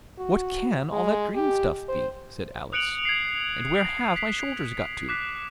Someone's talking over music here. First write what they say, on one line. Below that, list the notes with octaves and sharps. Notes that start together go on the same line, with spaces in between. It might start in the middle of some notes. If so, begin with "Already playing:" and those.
'What CAN all that green stuff be?' said Alice. 'And where HAVE my shoulders got to?
F#4
G#3
G4
C5
D#6 F#6 C#7 D7 F7 F#7
G#6 C7
B6 C7
D6 F#6 B6